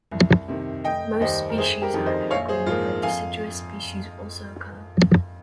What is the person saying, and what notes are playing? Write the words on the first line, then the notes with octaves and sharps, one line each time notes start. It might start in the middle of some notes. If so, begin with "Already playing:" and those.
Most species are evergreen, but deciduous species also occur.
C2
C3 D#3
F1 D#5 G5
D#2 D#3 G3 C5 D#5
A#4
G1 G#4 C5
G4 A#4
F2 D#3 G3
C5 D#5
A#1 C#5 F5
G#4 C5
G#2 F3 A#3 F4
F2 F5 G#5